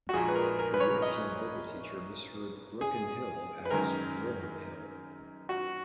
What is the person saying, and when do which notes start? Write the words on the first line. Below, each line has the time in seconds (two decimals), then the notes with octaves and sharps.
Her European vocal teacher misheard "Broken Hill" as "Bro-n-hill".
0.09 F#4
0.14 A#1 A#2 G#3 G#4
0.28 B4
0.35 A#4
0.59 A#4
0.74 B4
0.80 C#5
1.02 D#5
2.81 G#4
3.65 B4
3.70 F#2 D#3 G#3 A#4
5.49 F#4